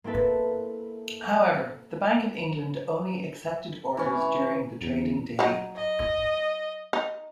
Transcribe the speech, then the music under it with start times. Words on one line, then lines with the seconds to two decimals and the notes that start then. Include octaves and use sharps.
However, the Bank of England only accepted orders during the trading day.
0.04 A#3 C4 E4 A4 B4
3.97 E3 C#4
4.81 E2
5.39 F#3 D#4
5.76 D#5
6.93 D#4